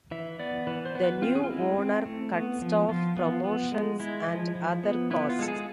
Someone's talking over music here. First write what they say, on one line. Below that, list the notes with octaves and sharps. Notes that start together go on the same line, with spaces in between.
The new owner cut staff, promotions and other costs.
E3 E5
B3 D5
E3 B4
C5
B3
B4
C4 F4
G#4
F4
G#3 E4
C4
A3
B3
F3
F3 F4
B3
B3
G#3
G#3 E4
F3
F3
B3
B3 E4
F4
G#3 A4
G#4